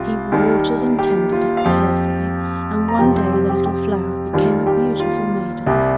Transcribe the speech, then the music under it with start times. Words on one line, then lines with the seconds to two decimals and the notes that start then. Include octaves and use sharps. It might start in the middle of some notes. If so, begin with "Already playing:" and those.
He watered and tended it carefully, and one day the little flower became a beautiful maiden.
Already playing: C2 F4 G4
0.32 D#2 D#3 G3
0.99 G4
1.32 F4
1.57 F5
1.65 F2 F3 G4 G5
2.88 A#5
2.99 F2 C3 F3 G4 G5
3.15 C4 C5
3.33 G4
3.50 G4
3.66 G4
4.33 D#2 D#3 G3 F4
4.67 G4
5.00 F4
5.66 C2 C3 G3 G4